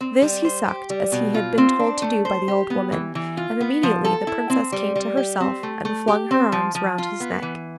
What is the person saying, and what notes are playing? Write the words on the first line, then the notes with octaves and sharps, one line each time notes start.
This he sucked, as he had been told to do by the old woman, and immediately the princess came to herself, and flung her arms round his neck.
C4
G3
C5
G4
G3
B2
F4
C4
D4
A3
C5
G4
B3
E3
E3
F4
B3
F3
A4
E4
C4
G3
G3
G4
C4
A3
A3
G4
C4
F3
F3
F4
B3
E3